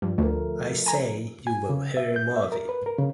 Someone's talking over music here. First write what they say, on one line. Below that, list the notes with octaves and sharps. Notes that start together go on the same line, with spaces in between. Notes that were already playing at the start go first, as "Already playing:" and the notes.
I say you will hear more of it.
G2 F3
D2 A3 A#4
G#5 A#5
G#5
C#3
E5
G6
E5
A#4
B4
A#4
C#3